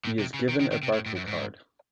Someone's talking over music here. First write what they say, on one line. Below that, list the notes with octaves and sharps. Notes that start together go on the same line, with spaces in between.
He is given a Barclaycard.
A2
C3
C#3
D#3
D#3
D#3
C3
A2
A2
F#2
G#2